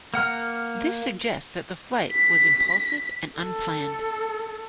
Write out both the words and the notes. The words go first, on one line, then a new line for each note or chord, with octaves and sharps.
This suggests that the Flight was impulsive and unplanned.
A#3 F#5 F6
B6
A4